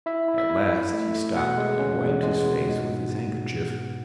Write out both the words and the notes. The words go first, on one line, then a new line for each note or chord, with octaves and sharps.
At last he stopped and wiped his face with his handkerchief.
E4 E5
E4
E5
E4
E4
A3
A3
B2 F#5
G#3
C#4
E2
G#3
B2
G#2
G#2